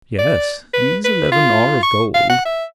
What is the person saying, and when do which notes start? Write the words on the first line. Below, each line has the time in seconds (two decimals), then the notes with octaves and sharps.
Yes, these eleven are of gold.
0.19 D5
0.73 B4
1.04 B4
1.32 F4
1.83 C#6
2.14 F5
2.29 F#5
2.45 E5